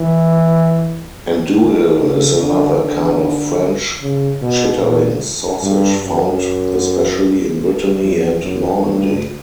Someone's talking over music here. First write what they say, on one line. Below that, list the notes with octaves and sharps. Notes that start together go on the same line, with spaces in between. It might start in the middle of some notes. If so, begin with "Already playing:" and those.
Andouille is another kind of French chitterlings sausage found especially in Brittany and Normandy.
Already playing: E3
D#3
C#3
D3
D3
C#3
B2
A#2
G2
F#2
F2
F#2
G2